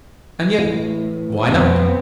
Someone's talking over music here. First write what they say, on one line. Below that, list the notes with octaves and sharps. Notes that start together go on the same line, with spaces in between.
And yet--why not?
A2 E3
F2 B2 B3 C4